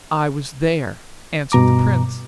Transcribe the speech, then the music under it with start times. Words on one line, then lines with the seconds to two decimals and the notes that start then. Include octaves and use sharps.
'I was there,' answered the prince.
1.52 G2 B2 A#5 D6